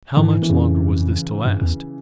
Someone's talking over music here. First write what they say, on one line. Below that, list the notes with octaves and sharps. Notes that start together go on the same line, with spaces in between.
How much longer was this to last!
G#2 E3
E3
F2 C#3
G2
E2